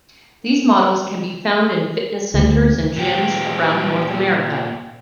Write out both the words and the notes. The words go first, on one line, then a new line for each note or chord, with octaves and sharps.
These models can be found in fitness centers and gyms around North America.
D2
A#2 G4